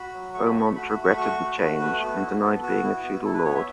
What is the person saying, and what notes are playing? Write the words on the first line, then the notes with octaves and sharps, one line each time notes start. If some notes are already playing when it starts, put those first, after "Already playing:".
Beaumont regretted the change and denied being a feudal lord.
Already playing: F#4 B5
F#3
A3 C#6
B5
A3 C#6
B5
F#4 B5
B5
A3
C#6
B5
F#4 C#6
A3
F#4 B5
A3 B4
B3 F#4
E4
B3 A4
B3 F#4
E4
B3
E4 A4
B4
B3 C#5
E5